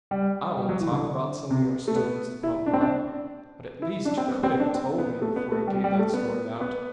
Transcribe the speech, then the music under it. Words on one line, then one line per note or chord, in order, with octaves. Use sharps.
"I won't talk about sending your students to pump mine, but at least you could have told me before you gave that story out."
G3
G3
F#3
E3
D3
C3
A3
B3
E4
D4
C4
D4
E4
D4
C4
B3
C4
D4
C4
B3
A3
B3
A3
G3
G3
A3
B3
B3